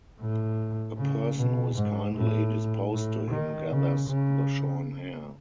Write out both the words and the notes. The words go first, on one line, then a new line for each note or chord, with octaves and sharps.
A person who is kindly disposed to him gathers the shorn hair.
A2
C#3
B2
G#2
A2
A2
D#3
C#3
C#3